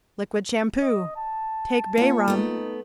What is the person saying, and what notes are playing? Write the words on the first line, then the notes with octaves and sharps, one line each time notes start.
Liquid Shampoo.--Take bay rum.
D#5
A5
A#3 F4 C#5
A3 B3 D#4